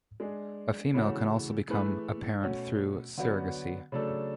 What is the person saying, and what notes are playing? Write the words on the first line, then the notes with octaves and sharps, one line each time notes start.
A female can also become a parent through surrogacy.
G#3 D4 G#4
C#3 E3 A3 C#4 F#4
E3 A3 E4 G#4 B4
B2 A3 C#4 F#4
D3 F#3 B3 F#4
C#3 F#3 A3 D4 A4